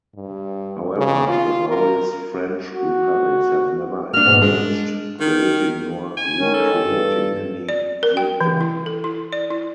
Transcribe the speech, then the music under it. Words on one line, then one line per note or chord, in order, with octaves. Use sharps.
However, the various French Republics have never acknowledged creating nor re-creating any dukedom.
G2
C#3
F4
A#4
F#4
A#3 D4 F6
G#2 B2
G#3 D4
D#3
G#5
D#3 C#4
A4
G2
D5
A#4
G5
E3
E4
A4
E4
D5
E4